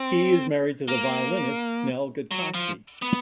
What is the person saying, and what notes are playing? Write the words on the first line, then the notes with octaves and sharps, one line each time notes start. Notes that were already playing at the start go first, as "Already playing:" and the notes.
He is married to the violinist Nell Gotkovsky.
Already playing: C4
A#3
F#3
F3
B3